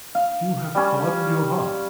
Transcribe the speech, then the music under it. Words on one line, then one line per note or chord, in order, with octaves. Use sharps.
You have hardened your hearts.
F5
G3 C#4